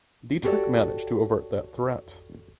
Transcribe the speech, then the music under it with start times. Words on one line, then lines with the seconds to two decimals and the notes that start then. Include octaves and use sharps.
Diederik managed to avert that threat.
0.43 F#4 G4 A4 A#4 C#5 D5